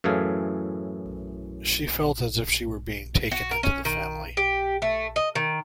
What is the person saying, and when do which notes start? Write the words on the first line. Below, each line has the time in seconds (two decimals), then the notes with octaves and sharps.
She felt as if she were being taken into the family.
0.04 F#2 A2 E3 G#4 A4 F5
3.31 F#4
3.51 A#4
3.63 C#4
3.85 D#3
4.37 G4
4.82 A3
5.16 D#5
5.35 D#3